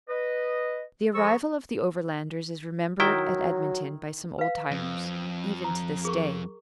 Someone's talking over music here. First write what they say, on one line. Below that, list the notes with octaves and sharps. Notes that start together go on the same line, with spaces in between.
The arrival of the Overlanders is remembered at Edmonton by some old-timers even to this day.
B4 D#5
F3 G#4 A4 A#5 C#6 E6
D#3 F#3 E4 G5
B4 F5
F2
A#5
G#4 A#4 C#6